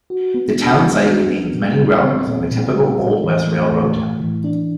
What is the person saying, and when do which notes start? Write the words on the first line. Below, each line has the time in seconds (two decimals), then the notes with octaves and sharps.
The town site contains many relics of a typical old west railroad town.
0.10 F#4
0.34 B3
0.59 D4
0.83 G3
1.07 F#4
1.30 B3
1.55 A#2
1.79 G3
2.04 C4
2.28 A#2
2.51 A#2
2.75 G3
3.00 A2
3.23 E3
3.47 A3
3.72 A2
3.96 A2
4.20 E3
4.44 D4